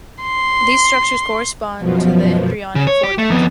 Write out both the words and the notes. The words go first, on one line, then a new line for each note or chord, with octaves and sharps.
These structures correspond to the embryonic foregut.
C6
F#2 B2 F3
C#3
C#5
G4
A3
F2 B3